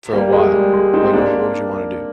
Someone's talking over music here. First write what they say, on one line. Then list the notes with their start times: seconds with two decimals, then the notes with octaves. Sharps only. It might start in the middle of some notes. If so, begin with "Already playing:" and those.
for a while. Like, what what would you wanna do?
0.13 G3 A#3
0.33 G#3
0.53 G3
0.73 G#3
0.93 C4 D#4
1.13 A#3 D4